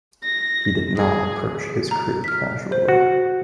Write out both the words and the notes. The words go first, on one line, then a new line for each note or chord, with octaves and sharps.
He did not approach his career casually.
A#6
G#4
A#5
F6 B6
C5
F#4